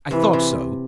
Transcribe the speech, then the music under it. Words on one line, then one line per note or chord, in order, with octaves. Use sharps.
I thought so.
C3 E3
C3